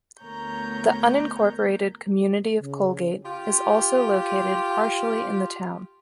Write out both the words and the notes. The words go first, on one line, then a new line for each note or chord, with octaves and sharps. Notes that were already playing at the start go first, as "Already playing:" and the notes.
The unincorporated community of Colgate is also located partially in the town.
D2 B3 A#4 C#5 A#5 G6
C#3
F4 G4